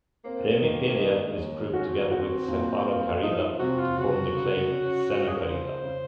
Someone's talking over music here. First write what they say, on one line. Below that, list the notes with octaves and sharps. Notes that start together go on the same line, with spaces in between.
Remipedia is grouped together with Cephalocarida to form the clade Xenocarida.
A#3 C4
D#3
G#3
D#2
C#4 F#4
C4
A#3
C4 F#4
A#2
F4
F3 D#4
C3 F#4
F4
C#3 F#4
C#3
C#4
F4
G#4
A#4
C#3 C5
C#3